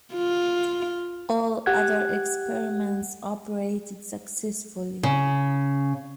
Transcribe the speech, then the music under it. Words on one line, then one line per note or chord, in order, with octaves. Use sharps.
All other experiments operated successfully.
F4
G4 F#5 F#6 G#6
C#3